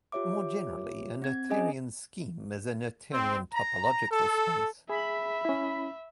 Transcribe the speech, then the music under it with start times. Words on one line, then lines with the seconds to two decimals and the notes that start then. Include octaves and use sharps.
More generally, a Noetherian scheme is a Noetherian topological space.
0.12 F4 G4 C#5 E5 D6
1.22 C4 G#6
1.49 C4 C#4 G#4 D#5 G#5
3.11 C4
3.52 A#5
4.09 A4
4.89 G#4 E5 B5
5.45 C#4 E4